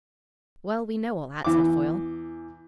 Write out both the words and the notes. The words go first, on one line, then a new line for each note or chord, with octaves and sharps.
"Well, we know all that," said Foyle.
E2 D6